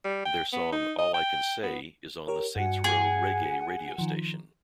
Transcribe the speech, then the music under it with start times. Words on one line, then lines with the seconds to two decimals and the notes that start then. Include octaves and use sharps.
Their song "All I Can Say" is on the Saints Row reggae radiostation.
0.05 G3
0.26 G5
0.53 B3
0.72 D#4
0.98 D#5
1.14 G5
1.63 B3
2.28 G4 A#4 C#5
2.56 G2 F#4 F#5 G#5
2.84 G#4
3.98 D#3 F3